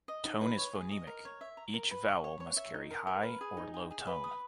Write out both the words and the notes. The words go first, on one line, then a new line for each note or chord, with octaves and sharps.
Tone is phonemic; each vowel must carry high or low tone.
D#5
D#4
B4
C#5
G#4
D#5
A#4
C#5
E5
A#5
A#4
B4
C#6
C#5
C#5
E5
D#4
A#4
A#4
B4
G#4
D#4
G#4
G#4
B4
D#6